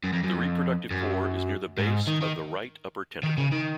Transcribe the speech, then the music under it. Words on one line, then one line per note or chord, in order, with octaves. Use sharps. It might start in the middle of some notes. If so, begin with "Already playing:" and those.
The reproductive pore is near the base of the right upper tentacle.
F#2
F2
F#2
F2
F#2
G#2
D#3
D#3
D#3
C#3
D#3